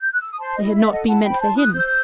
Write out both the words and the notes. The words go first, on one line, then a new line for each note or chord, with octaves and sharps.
They had not been meant for him.
G6
F#6
E6
D#6
C5 A5 C6
D#5
E4
E5
A4
D#5 F#5
E4 F#5 A5
G5 B5
C5
A5 C6
E4
D#6 F#6
C5 E6 G6